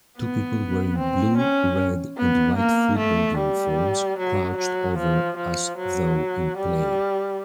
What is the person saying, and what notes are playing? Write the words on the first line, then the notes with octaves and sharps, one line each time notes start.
Two people wearing blue, red, and white football uniforms crouched over as though in play.
B3
C4
C#4
B3
A#3
A3
G3
F#3
F#3
F3
F3
F#3
G3